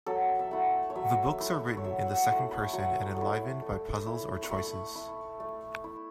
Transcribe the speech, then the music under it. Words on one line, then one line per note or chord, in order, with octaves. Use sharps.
The books are written in the second person and enlivened by puzzles or choices.
F#3 A4
E5
A3 E4 F#5
C#5
F#3 E5
A3 E4
C#5
F#3 E5
F#5
A3 E4
B5
F#3 C#6
A3 E4
A3
E4
C#6
A3 B5
E4
A3
E4